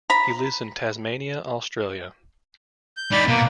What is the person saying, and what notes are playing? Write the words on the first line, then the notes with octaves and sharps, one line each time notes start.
He lives in Tasmania, Australia.
A#5 B5
G6
G3 D#4 D5 B5
B2 A#3